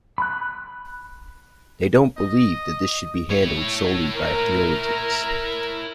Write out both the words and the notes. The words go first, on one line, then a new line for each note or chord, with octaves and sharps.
They don't believe that this should be handled solely by theologians.
B5 F#6
D#5
E4 C#5
A#4